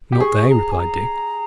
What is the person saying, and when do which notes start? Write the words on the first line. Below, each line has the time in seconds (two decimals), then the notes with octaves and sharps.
"Not they," replied Dick.
0.12 G4
0.20 G#4 C#6
0.50 A#5
0.71 G#5
0.79 A#5